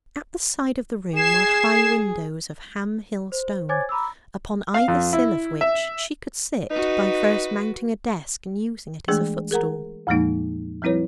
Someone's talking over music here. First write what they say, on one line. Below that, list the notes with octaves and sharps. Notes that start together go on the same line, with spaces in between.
At the side of the room were high windows of Ham-hill stone, upon either sill of which she could sit by first mounting a desk and using it as a footstool.
G#4 G#6 C7 E7
C5
C5 C#5 G#5 D6 G#6 A6
A#5 B5 D6 E6
F5
F2
E4
E5
D#4 F#4 B4
E3 G#3 A3 D4 G#4
G#4 A#4 F#5 A#5
F2 A#2 F3 G#3 A#3 D#4
F3 G3 C4 E4 B4 C#5